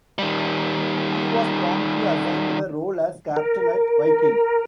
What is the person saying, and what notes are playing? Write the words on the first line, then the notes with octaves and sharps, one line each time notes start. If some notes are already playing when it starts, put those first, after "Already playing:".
He was promptly assigned the role as captain at Viking.
D#3 G3
A#4